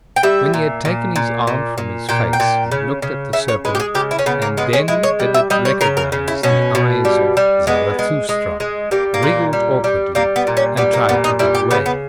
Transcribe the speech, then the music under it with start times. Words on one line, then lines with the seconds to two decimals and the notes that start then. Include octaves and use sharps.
When he had taken his arm from his face he looked at the serpent; and then did it recognise the eyes of Zarathustra, wriggled awkwardly, and tried to get away.
0.16 G5
0.23 G3 E5
0.54 A#2
0.85 A#2
1.16 A#2
1.47 A#2
1.78 A#2
2.09 A#2 G5
2.33 G5
2.40 A#2
2.72 C#3
3.02 C#3
3.33 C#3 E5
3.48 C#5
3.65 G#3 B4
3.75 G4
3.80 G#4
3.95 C#3 G4
4.11 E4
4.19 C#4
4.26 C#3 B3
4.42 A#3
4.57 G#3 B3
4.73 C#4
4.88 G#3 E4
5.03 C#5
5.20 G3
5.34 E5
5.50 G3 D#5
5.65 C#5
5.81 C#3 A#4
5.97 A#4
6.12 C#3
6.28 E4
6.43 B2 C#4
6.75 B2
7.05 G3
7.37 G3
7.67 G#3 B3
7.99 G#3
8.29 G#3
8.60 G#3
8.91 G3 A#3
9.14 A#3
9.23 A#2
9.53 G3
9.84 G3
10.15 G3 A#3
10.36 B3
10.47 A#2
10.57 C#4
10.77 G3 B3
10.93 A#3
11.09 A#2 B3
11.24 D#4
11.39 G3 E4
11.55 G4
11.71 C#3 B3
11.86 B3